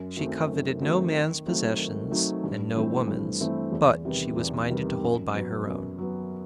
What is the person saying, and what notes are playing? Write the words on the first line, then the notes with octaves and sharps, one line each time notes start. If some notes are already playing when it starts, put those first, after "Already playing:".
She coveted no man's possessions,--and no woman's; but she was minded to hold by her own.
Already playing: F#2
D#3 F#3 A3 C4
F#2
D#3 F#3 A3 C4
D#3
F#3 A3 C4 D#4
D#3
F#3 A3 C4 D#4
G2
E3 A3 C4 E4
G2
E3 A3 C4 E4
E2
C3 D#3 G3 B3
E2
C3 D#3 G3 B3
F#2
F#3 B3
F#2
F#3 B3